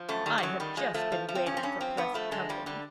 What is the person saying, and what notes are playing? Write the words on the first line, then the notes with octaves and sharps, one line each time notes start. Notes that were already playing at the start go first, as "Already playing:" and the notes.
I have just been waiting for pleasant company.
Already playing: F3
F#2 A3
D#3 G3
G3
F#2 F#3
D#3 G3
F3 G#3
F3 A3
F3
F3
C4
G2 C#4
C4
G2 C#4
F3 C4
G2 B3
F3 A3
D3 G#3
F3 G3
D3 G3